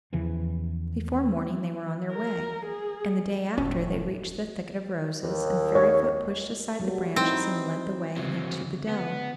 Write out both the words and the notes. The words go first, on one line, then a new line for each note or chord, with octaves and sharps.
Before morning they were on their way, and the day after they reached the thicket of roses, and Fairyfoot pushed aside the branches and led the way into the dell.
E2 C#3 E3 F3
A#4
G#4
F1 D2 A2 C#4
D#2
C#5
F#3 G3
C4 D#4 E4
G1 C#3 F#3 C4
B3 F#5